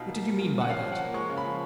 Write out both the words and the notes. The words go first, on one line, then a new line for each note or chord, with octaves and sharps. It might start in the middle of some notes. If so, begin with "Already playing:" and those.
What did you mean by that?
Already playing: B2 D#4 F5
A#3
A#3
A#2
F3
F#5
C#4 F5
F3
F#5
A#3
G#3 C#6
C#3
B5
F3